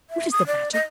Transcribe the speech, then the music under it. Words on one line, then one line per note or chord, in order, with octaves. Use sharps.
What is the matter?
E5
D#6
D5
D#5